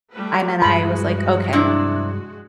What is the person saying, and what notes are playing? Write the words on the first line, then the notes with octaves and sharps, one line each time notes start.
I And then I was like, "Okay,
G3 A3 B4
G2 F3 G#3 F#4 B5
C3 D4 E4